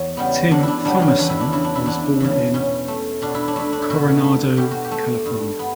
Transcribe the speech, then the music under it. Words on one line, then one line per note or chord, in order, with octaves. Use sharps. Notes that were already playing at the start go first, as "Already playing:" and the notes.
Tim Thomerson was born in Coronado, California.
Already playing: E2 C#5
C#3 G3 B3
E2 D4
D4 E4
C#3 G3 B3 D4
C#4
E2 D4
E4
D4
C#3 E3 E4
D4
E4
E2 D4
C#3 E3
B2 C#4
A3
B2 D4
E4
D4
A3 E4
D4
E4
B2 F#4
A3
B2 G4
F#4
G4
A3
G2
B3